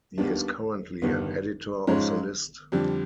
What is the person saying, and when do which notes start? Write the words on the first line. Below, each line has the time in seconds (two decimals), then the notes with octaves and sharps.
He is currently an editor of the list.
0.18 D#2 D#3 G3 B3 D4
1.02 G1 G2 D#3 G3 B3
1.87 G#2 F3 G#3 C#4
2.72 F2 D3 G3